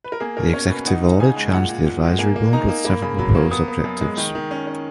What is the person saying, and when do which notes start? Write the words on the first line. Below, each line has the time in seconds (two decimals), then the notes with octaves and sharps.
The Executive Order charged the advisory board with several proposed objectives.
0.04 B4
0.12 A#4
0.20 A#3 G#4
0.37 B2 A#4
0.53 C#4 C#5
0.70 B2 B4
0.87 D#4 F#5
1.03 D#4
1.20 C#3 G#5
1.36 G#3
1.53 A#2 F#5
1.69 A#2
1.87 A#2
2.03 G#3
2.19 A#3 G#5
2.36 A#3
2.53 D#4 A#5
2.69 A#3
2.85 A#3 B5
3.02 C#3 B5
3.18 F#3 B5
3.35 A#3
3.51 B3 D#6
3.68 B3
3.85 F#2
4.01 G#3
4.17 D#3
4.35 D#3
4.51 C#4
4.67 C#4